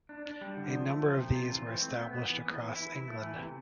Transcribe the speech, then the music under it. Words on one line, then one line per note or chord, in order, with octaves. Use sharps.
A number of these were established across England.
D4
D4
G3
D3
F3
A3
F3
C3
F4
E3
C4
A3
B3
B3
E3
B3
E3
E4
E4
A3
E3
C3